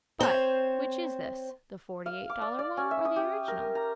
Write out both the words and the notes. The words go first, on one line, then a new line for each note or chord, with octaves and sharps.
"But--which is this, the forty-eight-dollar one or the original?"
C4 C5 C#5
F5
D6
D5
D5
C#4
E5
D#6
G4
A#4
A#5